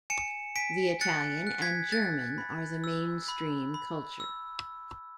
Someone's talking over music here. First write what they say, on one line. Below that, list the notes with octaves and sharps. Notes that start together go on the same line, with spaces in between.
The Italian and German are the mainstream culture.
G#5 C#7 E7
G#5 B6 D7
F#6 A6 C#7
F#6
G#6 B6
F#6 A6
B5
E6
B5
B5
E6